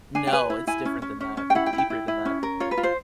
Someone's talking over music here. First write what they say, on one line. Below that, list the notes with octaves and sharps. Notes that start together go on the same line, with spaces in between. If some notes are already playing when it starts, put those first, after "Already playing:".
No, it's different than that, it's deeper than that.
D4 G#5
G5
B4 G#5
E4
E4 G#5
C#4
C#4
C#4
C#4
G5
E4 F#5
G5
E4
G5
E4
E4
C#4
A#4
F4 C#5
B4
F4
C5